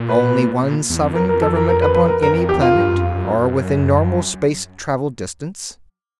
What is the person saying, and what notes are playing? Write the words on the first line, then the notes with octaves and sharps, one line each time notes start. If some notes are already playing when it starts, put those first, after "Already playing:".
Only one sovereign government upon any planet, or within normal-space travel distance....
Already playing: A#2
B4
A#2
E2
F2
A#4
A#4
A4
A#4
A#4
B4
B4
A#4
F#2 A#4
F2
E2 G4
F4
G2
F#2
F2
F#2